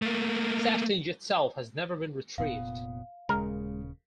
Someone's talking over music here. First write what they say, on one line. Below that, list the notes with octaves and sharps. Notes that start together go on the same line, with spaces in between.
Saaftinge itself has never been retrieved.
A3 A#3
F1 A#2 B3 F5
D#1 C#3 G#3 A#4